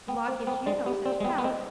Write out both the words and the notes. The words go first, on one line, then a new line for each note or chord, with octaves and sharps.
The law gives you no such power.
B3 G5
C4 C5
B3 G5
G#3 D5
B3 G4
C4 D5
G#3
B3 G5
B3
C4 D#5